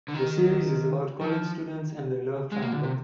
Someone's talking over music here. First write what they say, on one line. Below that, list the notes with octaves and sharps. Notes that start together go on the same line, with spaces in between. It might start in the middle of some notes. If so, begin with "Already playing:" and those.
The series is about college students and their love triangles.
D3
D#3
F3
G#3
A#3
D3
C3